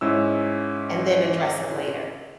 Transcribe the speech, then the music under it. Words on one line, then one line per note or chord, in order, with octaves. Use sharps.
and then address it later.
G#2 C#4 E4 E6